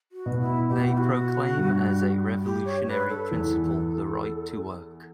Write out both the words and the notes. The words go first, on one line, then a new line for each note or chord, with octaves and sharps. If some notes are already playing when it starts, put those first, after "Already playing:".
They proclaim as a revolutionary principle the Right to Work.
F#4
B2 B3
E4
B2 B3 G4
F#4
E4
F#4
G2 G3
G4
C#5
B4
A4
E2 E3 A4